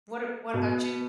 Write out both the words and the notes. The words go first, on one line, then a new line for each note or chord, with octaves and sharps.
What a what about you?
B2